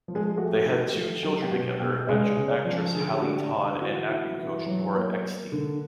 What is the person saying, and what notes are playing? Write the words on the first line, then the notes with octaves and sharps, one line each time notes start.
They had two children together, actress Hallie Todd and acting coach Nora Eckstein.
F3
G#3 G#4
A3 F#4
G4
F#4
D#3 G4
F#4
G4
A3 F#4
F#3 G4
G4
B2 F#4
B2 G4
C#3 G#3 G#4
C#3
F3
D3 G#4
G4
D4 F#4
G4
D3
E3 F#4
E4
E3
F#3
A#3
A#3
D3